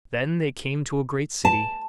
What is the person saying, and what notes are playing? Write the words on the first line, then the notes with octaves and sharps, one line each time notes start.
Then they came to a great city.
A5